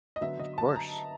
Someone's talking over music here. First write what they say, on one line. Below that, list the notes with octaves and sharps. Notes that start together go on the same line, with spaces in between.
Of course.
D#5
D3 F#3 B3 E5
D#5
A5
A#5